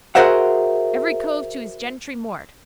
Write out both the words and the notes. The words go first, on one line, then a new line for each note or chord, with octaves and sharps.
Every cove to his gentry mort.
F#4 G#4 A#4 C5 E5 F#5